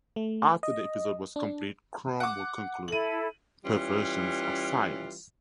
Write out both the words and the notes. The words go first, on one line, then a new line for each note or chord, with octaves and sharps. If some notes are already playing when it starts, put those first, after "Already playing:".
After the episode was complete, Chrome would conclude "Perversions of Science".
A3
D#5
D4
F#5 D6
E4 A4 D#7 F#7
E3 G3 C#4 F4